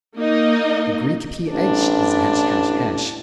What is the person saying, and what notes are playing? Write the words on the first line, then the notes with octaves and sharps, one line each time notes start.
The Greek ph is ### .
A#3 D#4 D#5
A1 D4